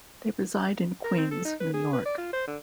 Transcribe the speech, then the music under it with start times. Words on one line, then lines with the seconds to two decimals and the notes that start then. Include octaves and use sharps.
They reside in Queens, New York.
1.04 A#4
1.18 C4
1.31 A4
1.45 D#4
1.60 B4
1.73 G#4
1.93 B4
2.05 D5
2.17 F4
2.33 C5
2.47 D3